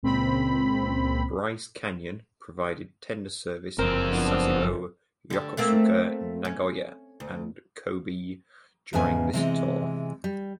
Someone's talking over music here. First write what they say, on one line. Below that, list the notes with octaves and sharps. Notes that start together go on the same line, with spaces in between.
"Bryce Canyon" provided tender service in Sasebo, Yokosuka, Nagoya, and Kobe during this tour.
C#2 A#2 C4 B5
F#1 F2 C4 A#4
F3 B3 D4
D3 G4
A3 A#3 C4
C#4
D2
E2 G#2 C#3 B3 G#5
C3 E3 G#3
G3